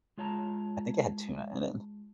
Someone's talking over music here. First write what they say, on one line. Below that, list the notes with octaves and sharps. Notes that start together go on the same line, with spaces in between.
I think it had tuna in it.
G#3 F4 C#5 A5 A#5